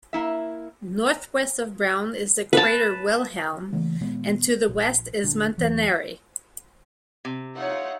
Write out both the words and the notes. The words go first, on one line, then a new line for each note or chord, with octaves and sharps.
Northwest of Brown is the crater Wilhelm, and to the west is Montanari.
A#3 E4 E5
B4 A5
C#3 E3 A3 A#3
A#2 D#3 G#3 B3
A#1
A#1 D3
E2 E3 F#3
C3
D#4 F4 C#5 E5 F#5